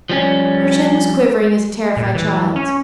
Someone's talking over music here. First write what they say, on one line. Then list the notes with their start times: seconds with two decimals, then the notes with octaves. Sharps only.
Her chin was quivering as a terrified child's.
0.09 F3 G3 C#4
1.97 A#2
2.15 E3
2.56 C#4